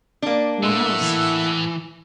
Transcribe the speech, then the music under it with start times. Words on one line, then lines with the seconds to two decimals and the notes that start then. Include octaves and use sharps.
What else?
0.22 A#3 D4
0.63 A2 A4 E5 F#5
1.02 E3